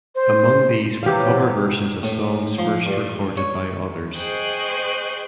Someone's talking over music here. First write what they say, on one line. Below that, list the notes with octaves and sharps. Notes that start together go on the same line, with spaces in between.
Among these were cover versions of songs first recorded by others.
C5
C3 E3 F#3 G4 F5
A2
F3
G2
C#5
G#4 C5 D#5 G5 C#6 F#6